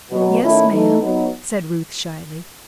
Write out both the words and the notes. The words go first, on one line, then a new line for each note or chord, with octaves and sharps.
"Yes, Ma'am," said Ruth, shyly.
B2 F#3 B3
D#3 A3 C#4 E4
E3 A3 D#4
F#3 B3 D#4